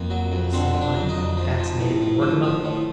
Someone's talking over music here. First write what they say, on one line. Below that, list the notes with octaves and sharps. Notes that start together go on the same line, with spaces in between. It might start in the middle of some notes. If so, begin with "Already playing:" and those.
I'll sit by him, fascinate him and work him up.
Already playing: F2 A#3
F#3
F2
D3 C4
F2
D4
F#3
D#4
F2
F3
F3
A2
A2
F3
F3
A2